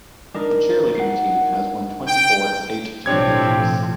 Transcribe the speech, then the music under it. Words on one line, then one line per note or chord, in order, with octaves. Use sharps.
The cheerleading team has won twenty-four state championships.
D4 D#4 A#4
F#5 C7
G5
B1 A2 F3 C4 D4 G4 C#5 G#6